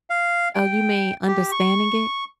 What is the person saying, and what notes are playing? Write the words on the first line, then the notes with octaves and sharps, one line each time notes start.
Oh, you mean understanding it?
F5
G5
G4
C#6